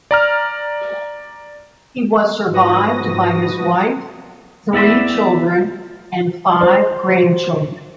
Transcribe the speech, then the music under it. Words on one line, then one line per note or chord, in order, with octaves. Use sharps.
He was survived by his wife, three children and five grandchildren.
D5 A#5 F6
G#2 F3 F#4 B4 D#6 A#6
B3 E4 D5 E5
C5